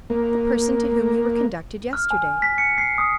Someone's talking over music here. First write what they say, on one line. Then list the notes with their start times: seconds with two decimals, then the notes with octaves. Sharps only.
"The person to whom you were conducted yesterday."
0.10 A#3
1.93 F6
2.11 G#5
2.42 B6
2.58 C#7
2.78 C7
2.98 D#6